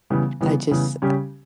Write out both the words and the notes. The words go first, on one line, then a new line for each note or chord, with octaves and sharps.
I just
C#3 E3 G3 B3
C#3 E3 G3 B3
C#3 E3 G3 B3
C#3 G3 C#4 G4